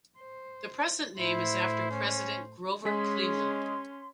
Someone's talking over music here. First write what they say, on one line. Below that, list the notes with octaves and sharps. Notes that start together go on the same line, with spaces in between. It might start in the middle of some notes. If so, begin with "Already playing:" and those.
The present name is after President Grover Cleveland.
C5
A2 E4 C5
C#4
G#3 C#4 G#4 C6 B6